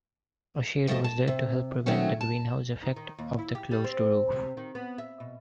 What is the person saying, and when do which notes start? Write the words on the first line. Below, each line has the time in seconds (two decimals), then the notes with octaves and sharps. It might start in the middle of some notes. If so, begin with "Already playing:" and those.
A shade was there to help prevent the greenhouse effect of the closed roof.
0.87 C3 F3 A3 A#4 D#5 A5
1.04 A5
1.27 C3
1.86 D#3 F#3 A3 C4 C#4 F#4
2.21 A5
2.83 D#4
2.96 D#3
3.19 D#2
3.39 E4
3.55 G4
3.71 G3
3.84 C4
4.32 C3
4.57 D#3
4.75 B3
4.98 E5
5.20 B2